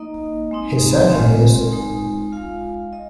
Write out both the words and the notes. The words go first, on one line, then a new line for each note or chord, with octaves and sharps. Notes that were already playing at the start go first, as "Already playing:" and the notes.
He said he is.
Already playing: A#3 D#4 D#5
G#3 C4 D#4
G#3 C4 F4
G#3 D#4
G#3 F4 F5
G#3 D#5